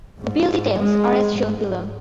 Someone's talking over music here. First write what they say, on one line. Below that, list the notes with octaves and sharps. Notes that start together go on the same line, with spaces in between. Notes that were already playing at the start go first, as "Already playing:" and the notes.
The build details are as shown below.
G#2
G#3
G#2